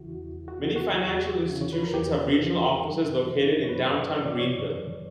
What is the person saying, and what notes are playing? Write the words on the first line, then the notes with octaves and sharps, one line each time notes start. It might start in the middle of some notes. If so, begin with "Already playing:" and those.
Many financial institutions have regional offices located in downtown Greenville.
Already playing: E2 C#3 E3 E4 F#4
E2
F#4
C#3 E3
F#4
E2 F#4
C#3 E3
C#5
B4
A#4
E2 G4
C#3 E3
F#2
E3
C#5
F#2 B4
E3 C#5
D5
C#5
F#2